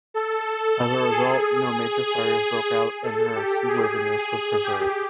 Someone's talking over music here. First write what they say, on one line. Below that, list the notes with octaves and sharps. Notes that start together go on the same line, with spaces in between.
As a result, no major fires broke out and her seaworthiness was preserved.
A4
G#4
G#4
A4
G4
G#4
G4